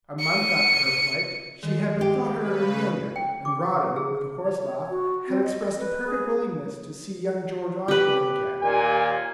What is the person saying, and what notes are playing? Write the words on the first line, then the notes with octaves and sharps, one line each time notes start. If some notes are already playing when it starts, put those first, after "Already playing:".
A month after her flight, she had bethought her of Amelia, and Rawdon, with a horse-laugh, had expressed a perfect willingness to see young George Osborne again.
C#7 D#7
D#3 G#3 A4
G4
C#3 B4
G5
D6
G#4
C#5
F#4
C4
D#5
B4
G#4
G4 B4
D#2 A#2 G#5